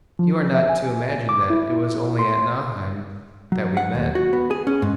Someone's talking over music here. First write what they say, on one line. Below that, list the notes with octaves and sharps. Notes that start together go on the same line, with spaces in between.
You are not to imagine that it was only at Nauheim that we met.
F3
E5
G#5
D6
E4
C6
F#3
F#5
D#2
F#4
B3
G#4
C#4
G#2